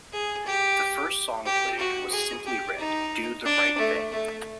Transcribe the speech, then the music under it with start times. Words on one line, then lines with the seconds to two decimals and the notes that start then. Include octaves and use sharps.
The first song played was Simply Red - Do The Right Thing.
0.13 G#4
0.46 G4
1.45 G4
1.79 F#4
2.11 G#4
2.46 G4
2.78 D#4
3.45 D4
3.77 A3
4.11 A3